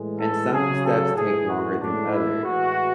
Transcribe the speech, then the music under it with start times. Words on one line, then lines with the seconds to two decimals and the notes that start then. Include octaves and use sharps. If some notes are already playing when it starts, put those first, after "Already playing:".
and some steps take longer than others,
Already playing: A2 E3 G#3
0.20 A4
0.52 C#3 F#3 G#4
0.84 A4
1.15 A2 E3 G#3 G#4
1.48 F#4
1.79 A2 G#3 D4
2.12 E4
2.43 A2 E3 G#3 F#4